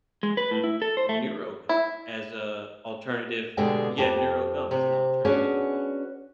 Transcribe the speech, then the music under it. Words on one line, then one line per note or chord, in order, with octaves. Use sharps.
NeuroGum as a alternative yeah, "NeuroGum" as an alternative to coffee.
G#3
B4
A2
E4
A4
C5
A3
E4
B2 D3 G#3 B3 G4 G#4
F2 G4 A5
C3
B3 C#4 D4 F#4 G#4